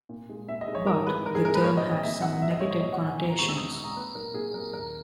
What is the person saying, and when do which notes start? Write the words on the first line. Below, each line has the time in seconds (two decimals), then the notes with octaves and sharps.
But, the term had some negative connotations.
0.09 A#2
0.29 G#3
0.48 A#2 E5
0.61 D#5
0.68 G#3
0.75 C#5
0.87 G#2 A#4
1.07 E3 G#3 B4
1.25 G#2 A#4
1.35 G#4
1.45 E3 G#3 A#4
1.55 B4
1.64 A#2 C#5
1.77 D#5
1.83 F#3
1.90 D#5
2.03 A#2 E5
2.22 F#3 F#5
2.41 A#2 E5
2.51 D#5
2.61 F#3 C#5
2.71 C#5
2.80 A#2 D#5
2.92 F#5
3.00 F#3
3.06 G#5
3.18 E2 G#5
3.29 A#5
3.38 B2 G#3 C#6
3.48 E6
3.57 E2 D#6
3.70 D#6
3.76 B2 G#3
3.84 A#5
3.96 A#2 B4
4.15 F#3 A#4
4.34 A#2 G#4
4.54 F#3 A#4
4.73 D#2 A#4